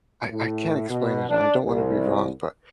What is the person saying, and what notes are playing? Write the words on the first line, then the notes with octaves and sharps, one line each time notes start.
I I can't explain it and I don't wanna be wrong, but
A2
B2
D4
C2